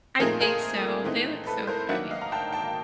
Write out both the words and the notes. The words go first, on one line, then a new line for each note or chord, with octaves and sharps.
I think so, they look so funny.
A#2 F3 A3 C4 D#4 G#4 A#4
G#4 A#4
E3 A3 C4 D#4
A4 B4
A#4 C5
D#3 F#3 A#3 D4 E5 F#5
D#5 F5
A#5
G5 A5
G5 A5